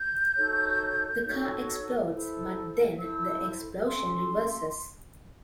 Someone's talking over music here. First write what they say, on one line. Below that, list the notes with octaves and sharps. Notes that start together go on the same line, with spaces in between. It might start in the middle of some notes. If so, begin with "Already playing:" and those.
The car explodes, but then the explosion reverses.
Already playing: G6
D#4 F#4 A4 C#5
D#4 F#4 A4 C#5
E4 A4 C5
E4 A4 C5 E6
C#4 F#4 A4 C6